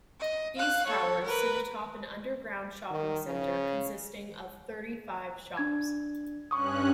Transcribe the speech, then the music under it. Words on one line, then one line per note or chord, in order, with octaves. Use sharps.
These towers sit atop an underground shopping centre consisting of thirty-five shops.
D#5
F5 F#6
A4 C#5
A#4 B4
D#3
C#3
D4 G#6
G2 C#4 C#6 D#6 F#6